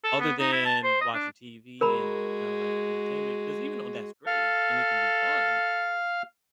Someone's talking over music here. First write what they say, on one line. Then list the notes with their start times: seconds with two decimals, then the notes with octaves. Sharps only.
other than watching TV, and, kinda, like, entertainment, 'cause even though that's great, and it can be fun,
0.04 A4
0.20 B3
0.39 D#4
0.52 E4
0.66 A5
0.84 C5
1.01 D#5
1.14 D4
1.81 G#3 F#4 A#4 A#5 B5
4.27 A4 F5 F6